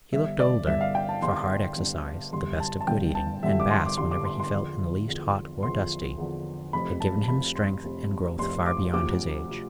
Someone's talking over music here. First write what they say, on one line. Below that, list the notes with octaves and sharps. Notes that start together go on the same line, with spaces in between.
He looked older, for hard exercise, the best of good eating, and baths whenever he felt in the least hot or dusty, had given him strength and growth far beyond his age.
G1 G2 D3 E5
D5
G1 G2 D3 E5
F5
G5
A5
G1 G2 D3 C6
G1 G2 D3
G1 G2 D3 G3 C6
A5
A5
G1 G2 D3 G3 G5
A5
G1 G2 D3 G3 E5
D6
C6
D6
G1 G2 D3 G3 C6
D6
C6
C6
E2 D3 F3
E2 D3 F3
E2 D3 F3 C6
E2 D3 F3
F1 F2 C3 B5
A5
A5
F1 F2 C3 B5
C6
F1 F2 C3
F1 F2 C3 C6
D6
D2 C3 F3 D6
C3 F3